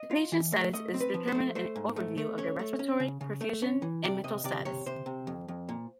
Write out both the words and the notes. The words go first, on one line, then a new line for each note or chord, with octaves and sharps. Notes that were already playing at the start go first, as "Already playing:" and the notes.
The patient's status is determined an overview of their respiratory, perfusion, and mental status.
Already playing: D#5
F4
E3
A3
A3 D#5
C4
B4
F3
C5
A3
A3 C5
G#2
A3
A3
C#4 C#5
A3
C#4
C#3
C#3
A3
C#4
E3
C3 D5
C3 D#5
C3 D5
C3 C#5
C3 C5
C3
F2
F2
A#2